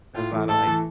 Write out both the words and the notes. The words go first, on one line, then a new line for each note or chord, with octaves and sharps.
there's a lotta like,
A2 F4
E3 A3 E4
A2 A4
E3 A3 E4